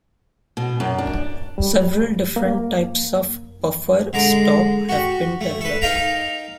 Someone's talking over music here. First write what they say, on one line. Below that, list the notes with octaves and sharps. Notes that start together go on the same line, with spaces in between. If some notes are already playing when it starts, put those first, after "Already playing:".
Several different types of buffer stop have been developed.
B2
F#2
D4
G3
A#3
D3 G#3 A#5 D6
F#4 G4
A3
A4 B4
D#4 A#4 D#5 F5 G5 A#5